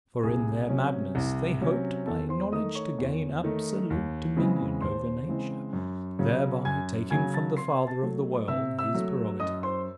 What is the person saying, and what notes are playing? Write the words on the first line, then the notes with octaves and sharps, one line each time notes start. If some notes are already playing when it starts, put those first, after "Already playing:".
For in their madness they hoped by knowledge to gain absolute dominion over nature, thereby taking from the Father of the world his prerogative.
C2 G#4 G#5
C3 F#3 C#4
C2
C3 F#3 C#4
E2 A4 A5
C5 C6
D#3 A3 D#4 D#5 D#6
C#5 C#6
E2
D#3 A3 D#4
D#2
C#3 E3 G#3 C4
D#2 C5 C6
C#3 E3 G#3 C4
F#2
C#3 F#3 C#4
F#2 G#5 G#6
C#3 F#3 C#4 G#5 G#6
A5 A6
C3 C6 C7
A5 A6
F#3 A3
C3 E5 E6
E5 E6
F#3 A3
F#2 D#5 D#6
C5 C6